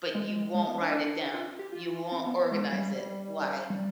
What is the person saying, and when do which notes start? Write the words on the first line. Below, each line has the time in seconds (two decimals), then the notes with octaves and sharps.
but you won't write it down. You won't organize it. Why?
0.15 G#3
0.54 G#3
0.68 B3
0.80 D4
1.34 F4
1.59 G4
1.72 F4
2.12 C4
2.26 B3
2.39 B3
2.51 G#3
2.72 G3
2.91 G3
3.70 G3